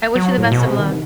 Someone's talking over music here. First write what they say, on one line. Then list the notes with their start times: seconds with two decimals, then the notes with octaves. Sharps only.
I wish you the best of luck.
0.16 F#3
0.38 A2
0.52 B2
0.65 C3
0.79 D#3